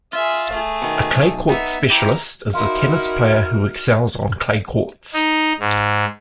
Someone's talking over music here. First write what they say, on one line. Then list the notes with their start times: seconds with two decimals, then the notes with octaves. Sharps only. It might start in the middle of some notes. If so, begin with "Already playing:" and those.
A clay-court specialist is a tennis player who excels on clay courts.
0.13 F4 G#4 E5
0.51 A3 G#4
0.82 B2 D#3
1.13 B1
1.49 B3 D#4 E5
1.90 E4 G4 A#5
2.54 D#4 E4 F#4 A#4 F5 C6 F6
5.14 D#4
5.60 G#2